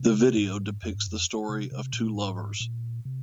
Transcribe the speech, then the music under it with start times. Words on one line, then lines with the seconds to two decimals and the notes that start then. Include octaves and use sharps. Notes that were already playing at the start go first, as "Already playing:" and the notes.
The video depicts the story of two lovers.
Already playing: C3
0.37 G#2
0.83 F2
0.95 G#2
1.07 F2
1.49 C3
1.72 C3
1.93 A#2
2.15 G#2
2.60 A#2
3.05 C3